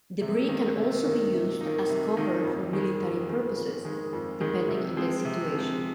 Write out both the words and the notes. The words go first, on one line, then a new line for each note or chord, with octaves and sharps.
Debris can also be used as cover for military purposes, depending on the situation.
C3
D#3 A#3 D#4
C3
D#3 A#3 D#4
C3
D#3 A#3 D#4
C3
D#3 A#3 D#4
F2
D#3 G#3
F2
D#3 G#3
F2
D#3 G#3
F2
D#3 G#3
C3
F3 G#3 C4
C3
F3 G#3 C4